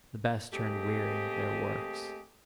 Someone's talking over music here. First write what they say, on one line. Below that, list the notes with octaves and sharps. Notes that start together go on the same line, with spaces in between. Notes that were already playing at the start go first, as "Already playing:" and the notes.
The best turned weary of their works.
A3 A#3 C4 G4 G#4 D#5